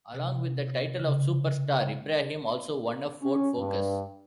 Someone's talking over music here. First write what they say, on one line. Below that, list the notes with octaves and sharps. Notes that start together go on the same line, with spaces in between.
Along with the title of Super Star, Ibrahim also won a Ford Focus.
C3
C#3
C#4
G2